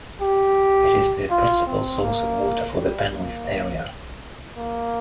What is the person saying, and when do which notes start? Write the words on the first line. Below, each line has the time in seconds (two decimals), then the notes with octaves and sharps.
It is the principal source of water for the Penwith area.
0.21 G4
1.30 F4
1.66 C4
2.02 A#3
2.75 G3
3.12 A#3
4.57 A#3